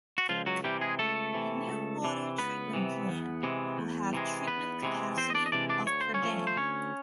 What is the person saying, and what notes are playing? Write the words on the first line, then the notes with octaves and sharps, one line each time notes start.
The new water treatment plant will have treatment capacity of per day.
F#4
C#2 F3 F4
F#3 F#4
C3 E3 G3 G4
G#3 G#4
C#2 A3 A4
C3 E3
C#2
C3 E3
C#2 B3 B4
C3 E3
E2
C3 E3 G#3
E2
C3 E3 G#3
E2 B3 B4
C3 E3 G#3
E2 C4 C5
D#5
D4 D5
D#5
C3 E3 G#3 D4 D5
D4 D5
D2 C#5
C5
C#4 C#5
D3 F3 A3
C5
D2 C#4 C#5